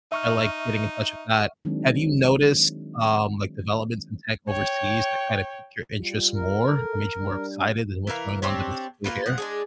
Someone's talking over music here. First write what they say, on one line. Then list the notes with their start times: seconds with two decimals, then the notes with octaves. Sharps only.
I like getting in touch with that. Have you noticed, um, like, developments in tech overseas that kind of pique your interest more or made you more excited than what's going on domestically here?
0.12 D#4 E5 C#6 F6
1.65 D#3 F#3 G#3 C4 D4
4.49 C#5 G5
6.00 G3 F4
6.34 A#4
6.75 A4
7.19 G3 D4
8.07 E3 E4 A#4 F5
8.42 C4 D4 G4 C#5
9.04 A#3 C4 F4 B4
9.26 F3 F#5
9.38 G#3 D4 G#4